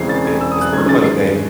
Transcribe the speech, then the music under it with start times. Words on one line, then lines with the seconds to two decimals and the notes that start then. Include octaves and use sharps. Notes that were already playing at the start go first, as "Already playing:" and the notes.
It's it's pretty much daily.
Already playing: E1 E2 C#3 E3 C4 G#6 C7
0.09 A6
0.25 G#6
0.41 E6
0.52 D#6
0.61 F#6
0.73 F#2 D#3 G#3 C#4 G#6
0.89 A6
1.04 C7